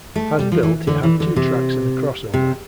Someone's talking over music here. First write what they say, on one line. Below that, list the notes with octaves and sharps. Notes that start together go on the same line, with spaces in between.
As built it had two tracks and a cross-over.
A3
G3
F3
E3
D3
E3
D3
C3
C3